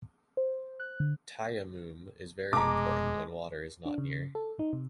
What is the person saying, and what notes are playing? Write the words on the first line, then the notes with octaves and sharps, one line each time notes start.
Tayammum is very important when water is not near.
C5
F#6
D3
F1 B2 G#3 A5 A#5 D6
D4
C#3
A4
D#4
C3